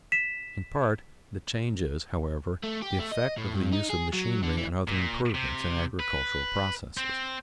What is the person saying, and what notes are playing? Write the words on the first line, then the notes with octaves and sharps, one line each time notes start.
In part the change is, however, the effect of the use of machinery and other improvements in agricultural processes.
B6 E7
A3
G4
A3
D#5
A2
G2
D#4
G#4
F#3
D3
E3
A#2
C3
B4
C4